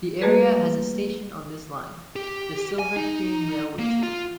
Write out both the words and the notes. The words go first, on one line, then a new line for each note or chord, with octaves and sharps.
The area has a station on this line; the Silverstream Railway Station.
G3 A3 A#3 F#4 G#4 B4
G4
G#5
D#4
A#3
F4